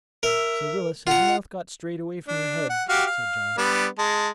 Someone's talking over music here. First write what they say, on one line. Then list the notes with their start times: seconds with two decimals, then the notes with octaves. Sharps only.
"Say, Willis, has your mouth got strayed away from your head?" said John.
0.23 A#4 E5
1.07 F4 F#5 A#5
2.28 D4
2.70 F#5
2.89 F#4 G4 F5
3.06 F5
3.58 G3 B3 D4
3.99 G#3 A5